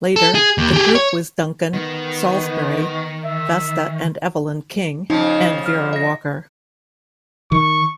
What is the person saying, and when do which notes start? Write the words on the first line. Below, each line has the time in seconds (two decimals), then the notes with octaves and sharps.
Later, the group was Duncan, Saulsberry, Vesta and Evelyn King, and Vera Walker.
0.16 A4
0.35 G#4
0.58 D#2
0.73 G4 G#4
0.95 C#5
1.73 D#3 B3
3.25 E5
5.10 F2 C#3 F3 D#4
5.66 F6
5.93 D#5 A#6
7.52 D#3 C#6